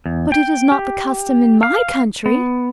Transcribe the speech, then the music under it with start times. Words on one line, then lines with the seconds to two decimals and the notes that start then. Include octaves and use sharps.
'But it is not the customer in MY country!
0.06 E2
0.32 G5
0.72 G4
1.63 F5
2.26 B3